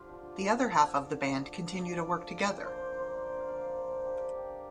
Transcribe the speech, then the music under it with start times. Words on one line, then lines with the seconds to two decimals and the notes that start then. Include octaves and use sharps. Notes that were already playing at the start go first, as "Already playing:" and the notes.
The other half of the band continue to work together.
Already playing: D3 F3 F4 G4
0.09 D4
0.37 F3
0.65 D3
0.94 D4 D5
1.23 F3
1.36 F5
1.51 D4
1.78 F3 D5
1.91 F5
2.04 D4 D5
2.35 F3
2.64 A#3 C5
2.93 D3
2.99 C5
3.06 D5
3.20 D3
3.39 F5
3.49 D4 D5
3.78 A#3 C5
4.06 D3 G4
4.34 D4